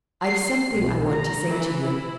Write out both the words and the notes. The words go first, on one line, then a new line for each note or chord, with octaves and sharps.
"I've something I want to say to you."
C7
B1
A#5
E3
E4